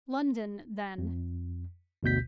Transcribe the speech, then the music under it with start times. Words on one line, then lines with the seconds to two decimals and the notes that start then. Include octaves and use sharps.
"London, then."
0.98 F2
2.03 G1 D2 B2 G6 B6